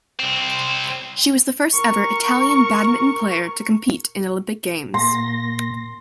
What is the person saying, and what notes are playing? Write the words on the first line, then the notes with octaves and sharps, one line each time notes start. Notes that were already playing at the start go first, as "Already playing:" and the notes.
She was the first ever Italian badminton player to compete in Olympic Games.
C2 C4
A#4 C#6
A#2 C6 A#6